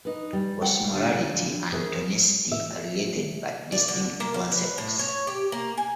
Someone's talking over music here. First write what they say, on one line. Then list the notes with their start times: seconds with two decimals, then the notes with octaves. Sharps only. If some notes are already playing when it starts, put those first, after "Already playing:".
Osmolarity and tonicity are related but distinct concepts.
0.05 D#4 B4
0.33 G3
0.62 F#5 G5
0.94 D3 D4 G4
1.72 G#4 A#4 C5 E5
2.52 E5
3.72 D5
3.88 D3
4.20 A#3
4.34 F5
4.52 B4
4.78 A2
4.99 C#5
5.27 G4
5.52 A#3
5.77 G#5